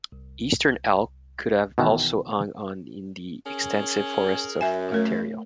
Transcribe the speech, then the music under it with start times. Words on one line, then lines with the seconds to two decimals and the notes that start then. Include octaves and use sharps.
Eastern elk could have also hung on in the extensive forests of Ontario.
0.12 C2
1.78 B2 D#3 E3
3.45 C#4 G#4 A#4
4.61 F#2 E5 G#5
4.92 A3 A#4 C#5